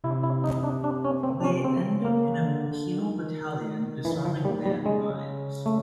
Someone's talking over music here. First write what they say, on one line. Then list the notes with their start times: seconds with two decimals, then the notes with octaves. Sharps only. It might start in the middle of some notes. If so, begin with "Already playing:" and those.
They end up in a penal battalion disarming land mines.
0.04 C3 E4
0.23 E4
0.44 D#4
0.63 D4
0.84 D4
1.05 C#4
1.23 C4
1.40 D4
1.44 C#4
1.64 C#3 C4
2.05 A#3
2.44 D3
2.71 D3
2.98 D#3
4.05 E3
4.25 F3
4.45 G3
4.66 G3
4.85 C#3 G#3
5.66 A3